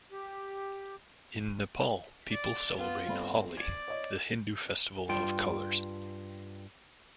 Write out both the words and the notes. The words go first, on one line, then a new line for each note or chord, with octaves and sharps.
In Nepal, people celebrate Holi, the Hindu festival of colours.
G4
D5
B3 F4
G1 C4 A4 B5
D5 G#6
C#5 D#5
G2 F4 G5